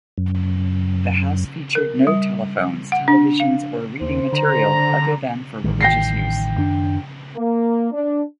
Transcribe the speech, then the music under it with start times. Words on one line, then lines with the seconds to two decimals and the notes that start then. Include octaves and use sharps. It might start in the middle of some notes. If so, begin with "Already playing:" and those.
The house featured no telephones, televisions, or reading material other than for religious use.
0.18 F#2
1.75 A#4
2.07 G3
2.92 F#5
3.08 D4
3.40 F5
4.01 D#2 C5
4.32 D3 A#5
5.64 A1 D#3 G3
5.81 G5 A#6 C7
6.57 F#2 D#3 D4
7.35 A#3
7.91 D4